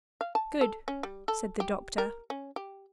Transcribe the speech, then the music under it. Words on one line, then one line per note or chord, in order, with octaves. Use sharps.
"Good," said the doctor.
F5
A5
A4
C#4
G3
A4
G4
A#4
C#4
G4